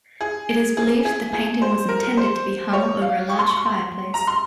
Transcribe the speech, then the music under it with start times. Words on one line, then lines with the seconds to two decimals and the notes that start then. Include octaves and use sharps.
It is believed the painting was intended to be hung over a large fireplace.
0.21 G#4
0.77 G#4
1.05 G#4
1.33 G#4
1.62 C5
1.89 A#4
2.03 A#4
2.17 C5
2.73 C#5
3.02 F5
3.29 C#6
3.39 C6
3.49 C#6
3.57 C6
4.14 A#5
4.27 C6